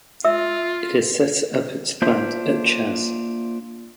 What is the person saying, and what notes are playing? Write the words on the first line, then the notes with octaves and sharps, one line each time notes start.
It has set up its plant at Chas.
F4 E5 E6
A#3 D4 F4 C5 E5